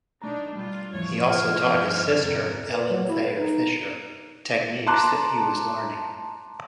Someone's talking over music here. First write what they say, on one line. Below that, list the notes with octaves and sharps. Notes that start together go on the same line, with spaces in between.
He also taught his sister, Ellen Thayer Fisher, techniques that he was learning.
B1 A3 D4 D#4 A#5
G3 F4
F2 A2 E3 F3 C#5
C5 G#5 F6
G2
F2 G#2 C3 A#4
B4
F#3
E4
B4
D#4
A5 A#5 C6 D6 F#6